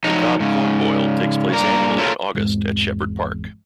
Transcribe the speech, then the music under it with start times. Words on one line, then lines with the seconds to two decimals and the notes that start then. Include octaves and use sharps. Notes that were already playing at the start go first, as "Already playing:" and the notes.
The Cobb Corn Boil takes place annually in August at Shepherd Park.
0.04 F3 F#3 D#4 D#5 A#5
0.40 G#2 C#3
1.52 G2 A#3 A#4
1.98 F4 A4 A#4 C#5 E5
2.35 G#1 E2